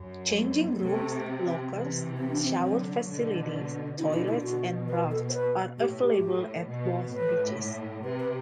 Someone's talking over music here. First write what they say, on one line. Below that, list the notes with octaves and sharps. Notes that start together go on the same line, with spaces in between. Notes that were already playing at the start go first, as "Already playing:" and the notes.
Changing rooms, lockers, shower facilities, toilets and rafts are available at both beaches.
Already playing: F#2
A3
B3
B3
C3 A3
C3 E3
C4
D4
C4
D3 F#3
B2 D3
B2 D3 E4
E4
E4
B2 F#4
B4
A4
C5
B4
A2 G4
G4
A2
B2
A2 B4
C3 B4
B4